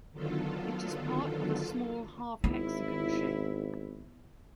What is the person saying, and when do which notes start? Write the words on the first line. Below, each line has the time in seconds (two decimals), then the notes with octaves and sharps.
It is part of a small "half hexagon" shape.
0.12 D3 D#3 F#3 B3 F4 A4
2.44 G#1 B3 E4